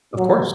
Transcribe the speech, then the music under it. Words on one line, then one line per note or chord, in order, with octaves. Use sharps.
Of course.
F#3